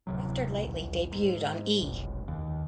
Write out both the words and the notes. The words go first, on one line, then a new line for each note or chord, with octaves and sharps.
"After Lately" debuted on E!
D1 C3 F#3
D#1 B1
G#2
F1 B1
D#2